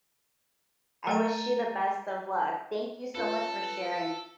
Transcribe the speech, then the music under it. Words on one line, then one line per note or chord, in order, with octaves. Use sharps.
I wish you the best of luck. Thank you so much for sharing,
F#3 A3 A#4 A#5 A6 D#7
C#4 F4 A4 B4